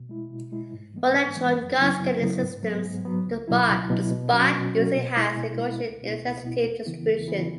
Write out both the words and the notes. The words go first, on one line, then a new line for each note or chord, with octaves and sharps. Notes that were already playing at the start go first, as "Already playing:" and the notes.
For electron gun scanning systems, the spot usually has a Gaussian intensity distribution.
Already playing: B2
G#3 E4
B2
G#3 E4
G#2
E3 G#3 B3
G#2
E3 G#3 B3
F#2
C#3 F#3 B3 E4
F#2
C#3 F#3 B3 E4
G#2
F#3 B3
G#2
F#3 B3
C#2
B2 F#3 E4
C#2
B2 F#3 E4
B2
F#3 C#4 F#4
B2
F#3 C#4 F#4
B2
G#3 E4
B2
G#3 E4
C#2
B2 B3 E4
C#2
B2 B3 E4
E2
C#3 E3 B3 E4
E2
C#3 E3 B3 E4